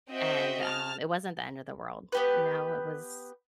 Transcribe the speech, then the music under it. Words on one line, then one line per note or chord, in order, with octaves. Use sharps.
and, um, it wasn't the end of the world, you know? It was
C4 F#4 C5 D#5 E5 G5
A5 F6
B3 G4 B4